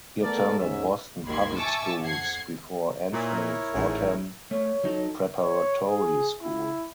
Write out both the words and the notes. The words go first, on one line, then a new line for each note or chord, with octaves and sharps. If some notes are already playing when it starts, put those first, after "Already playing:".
He attended Boston Public Schools before entering Fordham Preparatory School.
A3 B3 A4 A#4 D5
D#2 G#2 C#4 E5
G#1 D#2 D#3 B5 C6 G#6
E5 G#5 A5 C#6 D6 E6
F2 F#5 G#6 C7
A#2 E4 A#4 C#5
A1 G#2
A3 C#5
F#3 D#4 A4
C#5
G#4
E4